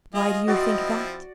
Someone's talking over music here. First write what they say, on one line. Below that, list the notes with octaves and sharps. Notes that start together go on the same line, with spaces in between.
"Why do you think that?"
F4 G#4 D#5
F3 C4 E4 F#4 D5